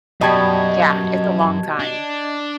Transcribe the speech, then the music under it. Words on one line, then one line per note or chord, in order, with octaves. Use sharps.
Yeah, it's a long time.
F#2 B2 G3 D#5 A5 G#6
D4